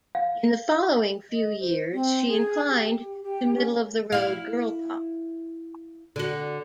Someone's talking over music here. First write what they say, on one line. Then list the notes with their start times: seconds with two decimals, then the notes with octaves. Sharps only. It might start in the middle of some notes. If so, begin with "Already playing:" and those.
In the following few years, she inclined to middle-of-the-road girl pop.
0.15 F5
1.30 D#5
1.60 C5
1.92 C4
2.27 G#4
2.68 G4
3.22 G4
3.56 C#4
4.12 E4 F5
6.16 D3 F#4